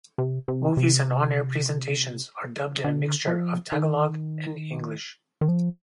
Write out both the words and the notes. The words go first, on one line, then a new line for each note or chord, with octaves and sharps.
Movies and on-air presentations are dubbed in a mixture of Tagalog and English.
C3
C3
C3
D3
F3
D#3
D#3
F3